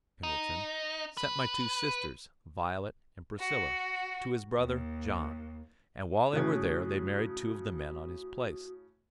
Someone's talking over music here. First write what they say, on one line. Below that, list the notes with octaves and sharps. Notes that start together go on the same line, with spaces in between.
M.R. Singleton, sent my two sisters, Violet and Priscilla, to his brother John, and while they were there they married two of the men on his place.
D#4
B4
F#4
D#2
A2 C#3 F#4 D#6